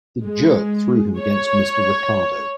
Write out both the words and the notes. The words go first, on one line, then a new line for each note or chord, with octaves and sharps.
The jerk threw him against Mr. Ricardo.
G#3
C#5